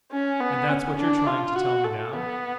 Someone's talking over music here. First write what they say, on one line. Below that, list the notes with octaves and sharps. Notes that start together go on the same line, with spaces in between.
"And that's what you're trying to tell me now?"
C#4
B3
C#4
D4
F4
F#4
A4
B3